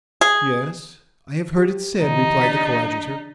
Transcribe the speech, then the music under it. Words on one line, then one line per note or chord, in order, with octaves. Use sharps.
"Yes, I have heard it said," replied the coadjutor.
G#4
G4
D3 E3 D#4
D4 A6 B6